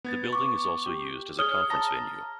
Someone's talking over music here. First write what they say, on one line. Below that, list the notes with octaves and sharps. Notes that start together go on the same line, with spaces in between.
The building is also used as a conference venue.
B3 G#6 A6
C#6 D6
G4
G#4 C#5 D#6 F6 G7
A5 A#5 A#6